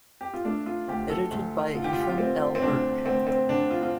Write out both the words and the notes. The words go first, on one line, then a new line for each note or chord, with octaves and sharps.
Edited by Efram L. Burk.
G4
F4
A3 D4
F4
D2 G4
A4
D2
D3 F4
G4
F4
G4
F4
A3 C4
C4
D2 D4
D2 C4
C4
D3 D4
F4
F4